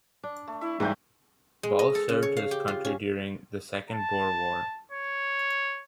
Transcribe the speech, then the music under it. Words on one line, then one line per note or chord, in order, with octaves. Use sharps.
Ball served his country during the Second Boer War.
D4
A3
E4 E5 C#6
G#2 E3 F#3 G3 A3 C4 B4 G6
G#3
D#5
A4
C#3
C#5
F5
G4
F4
C#4
A5
C#5